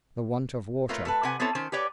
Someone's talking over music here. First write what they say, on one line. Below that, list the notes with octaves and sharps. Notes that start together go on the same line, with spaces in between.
"The want of water."
A3 F4 A#4 B4 C#5
A3 A4 B4
C3 B4 F#5 G#5
B3 C4 E4 A4 C#5
D#3 C#4 C5
G4 B4 C#5 D5